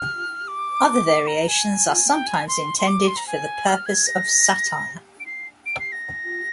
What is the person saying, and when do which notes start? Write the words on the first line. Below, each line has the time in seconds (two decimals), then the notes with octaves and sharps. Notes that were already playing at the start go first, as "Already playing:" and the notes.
Other variations are sometimes intended for the purpose of satire.
Already playing: F6
0.48 D6
1.27 A#5
1.48 G#5
2.08 G5
2.27 G#5
2.48 C6
2.78 C6
2.87 D6
3.07 C6
3.17 A#5
3.27 G#5
3.67 F6
3.86 G#6
4.06 A#6
5.20 D7
5.26 C7
5.66 D7
5.80 C7
5.92 A#6